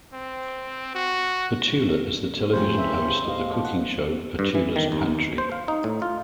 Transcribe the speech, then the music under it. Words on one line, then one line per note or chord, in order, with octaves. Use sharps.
Petula is the television host of the cooking show "Petula's Pantry".
C4
F#4
A2 C#3 F3 G4 C5
E4 G4 B4 E5
A2 D#5 F5
F3
F#5
G2
E3
D#3
D#2
C5
F5
D#4
A2
F4